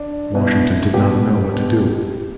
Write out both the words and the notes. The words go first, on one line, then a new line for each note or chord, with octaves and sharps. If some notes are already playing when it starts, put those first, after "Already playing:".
Washington did not know what to do.
Already playing: D4
B2 E4
B2 G4
B2